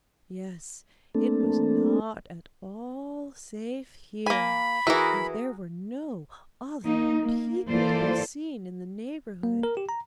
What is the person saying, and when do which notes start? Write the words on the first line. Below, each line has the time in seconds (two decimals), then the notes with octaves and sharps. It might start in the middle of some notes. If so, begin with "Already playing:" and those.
Yes, it was not at all safe here, and there were no other people to be seen in the neighbourhood.
1.15 A3 A#3 C4 D4 A4
4.26 A#3 G#5 B5
4.87 E3 E4 F#4 G#4 A#4
6.83 A#3 D#4
7.21 A#3
7.67 E3 A#3 F4 A4 C5 D5
9.43 A#3
9.63 A#4
9.77 G4
9.89 A#5